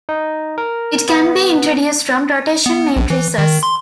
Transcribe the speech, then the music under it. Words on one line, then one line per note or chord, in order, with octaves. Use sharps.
It can be introduced from rotation matrices.
D#4
A#4
B3
B3
A#1
E3
D#3
C6